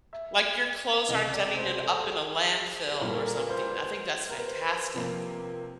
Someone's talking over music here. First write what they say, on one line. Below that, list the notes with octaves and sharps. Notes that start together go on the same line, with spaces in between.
Like, your clothes aren't ending in up in a landfill, or something. I think that's fantastic.
E5
C#2 C3 E3 D#5
D5
C5
A4
G#4
G#4
A#2 G3 A#3 A4
A#4
A#4
B4
C5
A#4
B4
C5
C3 F3 A#3